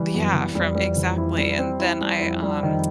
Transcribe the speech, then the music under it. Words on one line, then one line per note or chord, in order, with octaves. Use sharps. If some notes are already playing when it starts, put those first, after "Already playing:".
Yeah, from Exactly, and then I, um,
Already playing: E3 G3
F#2 B3
E3
F2 G3
G3
E3
E4
G3
C4
E4
G3
F2 E4
G3
D#3